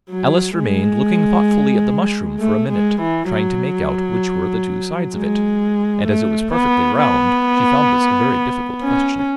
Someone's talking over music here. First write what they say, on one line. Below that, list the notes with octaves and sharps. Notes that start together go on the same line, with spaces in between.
Alice remained looking thoughtfully at the mushroom for a minute, trying to make out which were the two sides of it; and as it was perfectly round, she found this a very difficult question.
F#3
G#3
A3
G#3
E3
F#3
G#3
A3
B3
B3
C#4